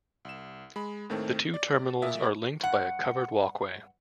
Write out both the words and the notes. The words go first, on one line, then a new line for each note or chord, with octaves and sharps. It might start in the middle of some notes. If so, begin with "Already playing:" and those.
The two terminals are linked by a covered walkway.
C2 E7
G#3 B5
D#2 A2 D#3 A3 C4
D5
A#2 E5 D#6
G2 F#5